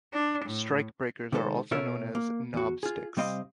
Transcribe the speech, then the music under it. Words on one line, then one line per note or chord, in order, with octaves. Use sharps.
Strikebreakers are also known as "knobsticks".
D4
A2
C3 D#3 G#3 A4 B4 C5
B2 F4 A4 A#4 C#5 E5
A#3
E2 F#4
F4 G#4
C3 G3 C4 D#5 F5